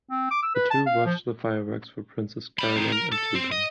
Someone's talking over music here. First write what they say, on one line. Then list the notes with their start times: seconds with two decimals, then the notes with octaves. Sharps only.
The two watch the fireworks for Princess Carolyn and Judah.
0.11 C4
0.31 D6
0.43 E6
0.55 B4
0.71 A5
0.86 F5
1.06 F3
2.59 G3 B5
2.76 C4 D#4
2.92 A#4
3.12 A4
3.35 C4
3.52 D#5